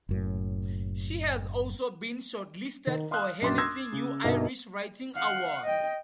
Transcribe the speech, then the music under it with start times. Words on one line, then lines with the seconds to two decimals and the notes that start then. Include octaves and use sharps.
She has also been shortlisted for Hennessy New Irish Writing Award.
0.09 F#1 F#2 A2
2.87 D#3
3.11 F5 C6 D#6 F6 F#6
3.42 A#1 F#2 C6 D6 A6
3.58 C6 D#6 E6 F#6 G#6 A#6
3.93 C#3
4.24 G1 B2 D#4 A#4 E5
5.15 F5 F#5
5.64 D#5 G5